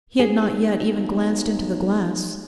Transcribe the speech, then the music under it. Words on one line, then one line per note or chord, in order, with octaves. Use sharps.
He had not yet even glanced into the glass.
B1 G#4